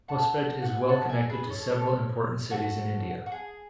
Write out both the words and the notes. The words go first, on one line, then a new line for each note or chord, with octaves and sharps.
Hospet is well connected to several important cities in India.
F#5 A5
F#5
G#5
F#5 A5
E5 G#5
G#4 B4
A4 C#5
A4 C#5
F#4 A4
F#4
G#4